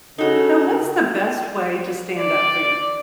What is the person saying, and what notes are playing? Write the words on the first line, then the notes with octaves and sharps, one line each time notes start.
So what's the best way to stand up for yours
C#3 D#4 F#4 A4
D5